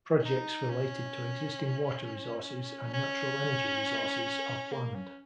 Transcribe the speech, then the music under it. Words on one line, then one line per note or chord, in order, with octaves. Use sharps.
Projects related to existing water resources and natural energy resources are planned.
C#4
D#4
C#4
C#4
A#3
C#4